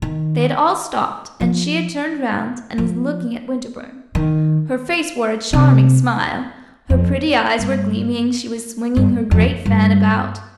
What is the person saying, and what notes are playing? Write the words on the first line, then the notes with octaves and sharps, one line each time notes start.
They had all stopped, and she had turned round and was looking at Winterbourne. Her face wore a charming smile, her pretty eyes were gleaming, she was swinging her great fan about.
D#3
F3
F3
D#3
C3
F2
G2
G2
F2
G2